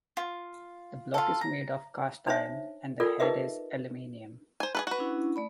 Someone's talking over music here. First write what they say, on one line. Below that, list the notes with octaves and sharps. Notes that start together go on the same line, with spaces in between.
The block is made of cast iron and the head is aluminium.
F4
F4 A4
A#5
D4 D#4 C5 C#5 E5
F4 A4 A#4 D5
D#4 G#4 A#4 B4 D#5 E5
C5 G#5
G#4 A4 B4
F#4 B4
C#4 D4 E4
A3 D5 B5